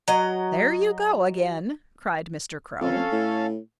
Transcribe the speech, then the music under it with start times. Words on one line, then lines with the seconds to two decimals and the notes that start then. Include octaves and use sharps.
"There you go again!" cried Mr. Crow.
0.08 F#3 D#5
2.81 F2 C#4 A4 F5
3.12 A2